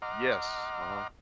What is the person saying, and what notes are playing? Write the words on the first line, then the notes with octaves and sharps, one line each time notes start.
Yes, uh-huh.
D#5 F#5 A#5 C6 D6 F6